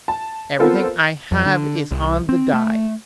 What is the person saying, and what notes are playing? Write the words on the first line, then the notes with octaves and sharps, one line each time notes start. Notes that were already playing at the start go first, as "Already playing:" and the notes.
Everything I have is on the die.
A5
B3 C4 F4 A4 A#4 C5
F2
D3
C2
C4
A3